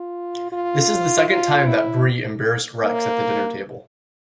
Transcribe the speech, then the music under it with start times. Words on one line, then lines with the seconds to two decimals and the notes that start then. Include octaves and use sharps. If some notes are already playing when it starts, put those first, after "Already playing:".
This is the second time that Bree embarrassed Rex at the dinner table.
Already playing: F4
0.52 F4
1.29 F4
1.67 E4
2.84 A#3